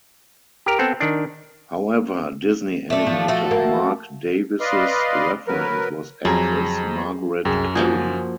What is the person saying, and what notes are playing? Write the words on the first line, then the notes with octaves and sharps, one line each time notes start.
However, Disney animator Marc Davis's reference was actress Margaret Kerry.
G4 A#4
B3 C4 A4
D#3 D4
A3 D4
F3
A3 F#4 A4
A#3
B4 D5 D#5 F5 C6
F#3 A#4 B4
F2 F#3 G#4 A#5
C2 F#2 G#4 G5
F3 A#3 F#4 G#5 D#6 G6